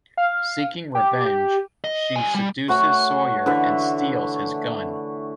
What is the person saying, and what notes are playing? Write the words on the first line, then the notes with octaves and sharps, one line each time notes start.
Seeking revenge, she seduces Sawyer and steals his gun.
F5
G4
G4
D#5
G3 G#5
G3
A3 F#4 C#5
D3 E3 E5 C#6